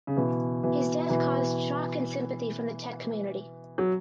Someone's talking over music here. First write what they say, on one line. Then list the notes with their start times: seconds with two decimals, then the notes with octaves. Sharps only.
His death caused shock and sympathy from the tech community.
0.07 C#3
0.16 B2 E3
0.63 B2 E3
1.10 B2 E3
3.78 F#3